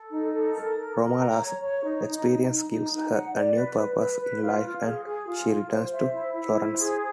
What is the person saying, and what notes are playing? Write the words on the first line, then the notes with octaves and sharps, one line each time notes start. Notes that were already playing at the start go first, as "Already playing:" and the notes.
Romola's experience gives her a new purpose in life and she returns to Florence.
Already playing: A4
D#4
A4
A#4
A#4
A#4
A#5
C#5
C#5
D#4
D#4
D#4
D#4
D#4
D#4
F#5
D5
B4
B4
B4
B4
F4
F4
G#4
G#4
F4
F4
C5
E5
E4
E4
C5
G#4